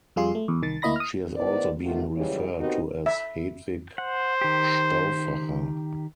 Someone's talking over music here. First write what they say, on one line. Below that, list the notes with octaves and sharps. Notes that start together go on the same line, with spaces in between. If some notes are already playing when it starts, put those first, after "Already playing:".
She has also been referred to as Hedwig Stauffacher.
F2 G3 F4 G#4 C6
A3
E2
C2 D#3 A6
D2 A#3 E4 D#5 B5 A#6
D#6 F6
D#3 B3 E4 C5 D5
C3 D#3 A3 F4 F#4
G#2 C#3 E3 F#3 G3 C#5
B3 C4 D#4 F#4 G4 A#4
E5
C5 F#5
D#3 G4